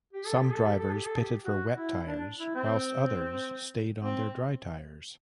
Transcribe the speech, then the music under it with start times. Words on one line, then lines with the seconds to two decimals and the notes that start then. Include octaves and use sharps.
Some drivers pitted for wet tyres whilst others stayed on their dry tyres.
0.13 G4
0.26 A4
0.39 G4
0.53 A4
0.66 G4
0.78 A4
0.92 G4
1.05 A4
1.18 G4
1.44 F#4
1.76 E4
2.07 D4
2.39 E4
2.55 C4
4.01 C4